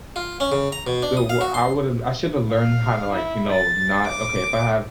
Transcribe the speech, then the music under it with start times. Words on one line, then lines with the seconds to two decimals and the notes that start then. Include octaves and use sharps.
the w I would've I shoulda learned how to, like, you know, not okay, if I have
0.16 F4
0.40 C#4
0.52 C#3
0.72 A#5
0.87 B2
1.02 D4
1.17 D#6
1.29 F5
1.41 F#4
1.54 C6
2.52 F5
3.13 E4
3.52 A6
4.08 D6